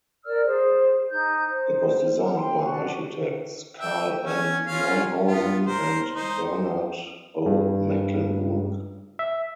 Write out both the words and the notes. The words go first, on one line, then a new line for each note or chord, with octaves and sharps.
It was designed by architects Carl M. Neuhausen and Bernard O. Mecklenburg.
A#4 D5 E6 F6
G#4 C5
D#4 G6
C5
G5 C6
D4 F#4
E5 G5
C#4 G#5
C#4 F4 F5
B3 F4
A#4 C5
D#4 C5
G2
E5